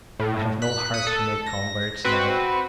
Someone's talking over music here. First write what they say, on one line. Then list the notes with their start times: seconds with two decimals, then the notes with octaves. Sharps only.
I have no heart to make converts now....
0.20 A2
0.62 F#6 B6
0.94 D#6 F#6 B6 C#7
1.07 A4
1.47 A#6
2.04 C4 F#4 B4